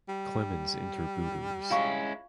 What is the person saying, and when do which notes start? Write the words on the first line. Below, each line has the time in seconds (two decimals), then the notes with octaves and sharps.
Clemens Inter Booters.
0.08 G3
1.70 G#3 C#4 E4 F4 F5 C#6